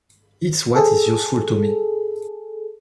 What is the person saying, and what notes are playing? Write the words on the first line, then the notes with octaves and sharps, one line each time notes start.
It's what is useful to me.
G#4 A4